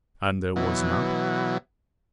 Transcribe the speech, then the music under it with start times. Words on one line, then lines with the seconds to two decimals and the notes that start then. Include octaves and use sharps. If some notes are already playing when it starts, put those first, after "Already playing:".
"And there was none?"
0.56 B2 E3 F#3